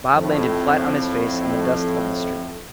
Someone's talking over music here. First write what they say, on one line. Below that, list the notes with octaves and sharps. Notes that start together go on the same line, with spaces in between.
Bob landed flat on his face in the dust of the street.
F2 A2